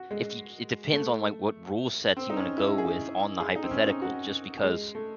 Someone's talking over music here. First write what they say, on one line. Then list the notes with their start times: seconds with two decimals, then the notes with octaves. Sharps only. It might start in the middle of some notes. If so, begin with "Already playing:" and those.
if yo it depends on, like, what rule sets you wanna go with on the hypothetical just because
Already playing: F#4
0.11 G#3
0.93 A3
2.17 C4
2.30 D#4
2.37 C#4
2.58 E4
2.78 G#4
3.40 G#4
3.56 D#4
3.63 C4
3.71 C#4
3.86 D#4
4.02 F#4
4.64 G#3
4.95 A3